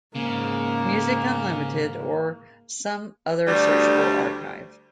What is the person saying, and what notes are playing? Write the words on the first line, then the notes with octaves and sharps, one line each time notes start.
Music Unlimited, or some other searchable archive.
G#2 C#3 A#3
D2 G3